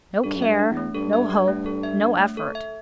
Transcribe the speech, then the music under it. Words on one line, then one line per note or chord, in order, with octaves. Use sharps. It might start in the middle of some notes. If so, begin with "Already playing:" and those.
No care--no hope--no effort.
G2 A4
F#2
E5
G2
D4
E2
A3
G2 A4
E5
D4
A3
A4
E5
D4
A3
A4
E5